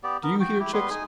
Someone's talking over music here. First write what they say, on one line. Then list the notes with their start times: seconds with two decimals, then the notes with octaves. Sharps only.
Do you hear, chicks?
0.03 B3 G4 D5
0.23 B3 A#4
0.40 F#4 G5
0.60 E4 G4
0.73 G3 B3 B4 C6
0.90 D#4 G#5 D#6